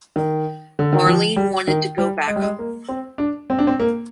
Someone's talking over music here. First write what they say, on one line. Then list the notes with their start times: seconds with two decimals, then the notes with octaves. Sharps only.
Marlene wanted to go back home.
0.16 D#3
0.79 D3
0.93 D#3
1.06 F3
1.36 G3
1.68 D#3
1.98 G3
2.27 G#3
2.36 G3
2.42 G#3
2.59 A#3
2.89 C4
3.18 D4
3.50 C4
3.59 D4
3.67 C4
3.80 A#3